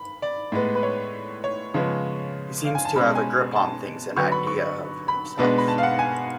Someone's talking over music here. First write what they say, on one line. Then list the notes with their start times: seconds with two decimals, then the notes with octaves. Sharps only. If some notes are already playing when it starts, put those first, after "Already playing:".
He seems to have a grip on things, an idea of himself.
Already playing: B5
0.22 D5
0.52 A2 G#3 B3
0.75 B4
0.83 C#5
1.44 C#5
1.74 C#3 F3 G#3 B3
2.65 F5
2.75 G#5
2.85 A5
2.96 B2 G#3 C#4 B5
3.06 A5
3.15 G#5
3.56 A5
4.16 D3 F#3 B3 D4 C#6
4.32 B5
4.47 C#6
5.08 B5
5.38 B2 G#3 B3 D4
5.58 B5
5.68 A5
5.78 F5
5.83 F#5
5.99 G#5